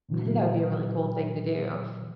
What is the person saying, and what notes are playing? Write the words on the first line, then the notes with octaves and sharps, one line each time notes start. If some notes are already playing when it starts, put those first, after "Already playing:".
I think that would be a really cool thing to do. It's
A#2 D3 E3 F#3